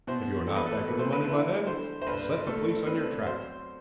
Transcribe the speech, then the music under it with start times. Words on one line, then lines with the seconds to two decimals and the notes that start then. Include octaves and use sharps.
"If you are not back with the money by then, I'll set the police on your track."
0.07 B2 C5
0.47 E2 A4
0.56 B4
0.66 A4
0.87 A3 B4
0.99 C5
1.13 B4
1.28 E4
1.67 D3 C5
2.02 C5
2.07 G2 B4
2.47 A3 A4
2.86 C4 B4
3.27 F#3 C5